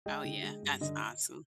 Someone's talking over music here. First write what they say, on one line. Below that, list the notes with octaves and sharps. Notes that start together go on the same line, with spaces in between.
Oh, yeah, that's awesome.
G#3 D#5 G5
D3
G#3
G2
D3 D#5